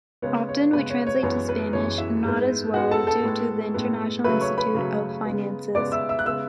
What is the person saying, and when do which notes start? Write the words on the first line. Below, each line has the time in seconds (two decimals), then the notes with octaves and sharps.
Often we translate to Spanish, not as well, due to the “International Institute of Finances”.
0.22 C#3 G#3 B3 C#5
0.49 C#5
0.73 C#3 G#3 B3 B4
0.90 C#5
1.07 C#5
1.23 F#2 E3 G#3 B3 C#5
1.49 B4
1.73 F#2 E3 G#3 B3 C#5
1.98 E4 E5
2.23 G#2 G#3 B3
2.73 G#2 G#3 B3 F#4 F#5
2.91 A4 A5
3.07 A4 A5
3.24 A2 G#3 B3
3.74 A2 G#3 B3
4.24 C#3 F#3 A3 B4 B5
4.41 C#5 C#6
4.58 B4 B5
4.74 C#3 F#3 A3
5.25 C#3 G#3 B3
5.75 C#3 G#3 B3 D5 D6
5.92 E5 E6
6.09 E5 E6
6.19 F#6
6.26 C#3 G#3 B3 E5 E6